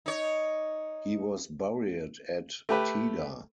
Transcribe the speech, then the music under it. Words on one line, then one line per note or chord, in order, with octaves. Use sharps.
He was buried at Teda.
D#4 C#5
A3 G4 B4